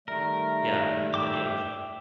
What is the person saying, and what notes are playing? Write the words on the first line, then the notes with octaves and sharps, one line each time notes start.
yeah, and that that yeah.
D#3 G3 A3 A#4
E5 G5 D6